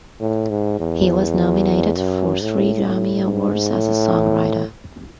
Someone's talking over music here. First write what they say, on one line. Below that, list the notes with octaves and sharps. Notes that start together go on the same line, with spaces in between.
He was nominated for three Grammy Awards as a songwriter.
A2
G#2
E2
F#2
A2
A2
G#2
A2